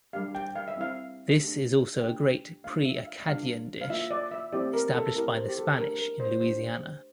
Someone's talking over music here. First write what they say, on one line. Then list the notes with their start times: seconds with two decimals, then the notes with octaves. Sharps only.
This is also a great pre-Acadian dish, established by the Spanish in Louisiana.
0.13 G3 D4 G4 F5
0.35 G5
0.56 F5
0.68 E5
0.76 G3 C4 E4 F5
1.39 A3 D4 G4
2.01 A3 D4 G4 G5
2.64 A3 D4 F4 F5
2.85 E5
3.06 F5
3.27 G3 D4 F4 F5
3.81 F5
3.90 A#3 F4 E5
4.11 D5
4.31 E5
4.53 A3 C4 E4 G4 D5
4.74 A#4
4.94 A4
5.15 A3 C4 E4 G4 A#4
5.36 C5
5.48 G4
5.57 A4
5.78 A3 D4 G4 A#4
5.99 A#4
6.20 C5
6.41 A3 D4 G4 C5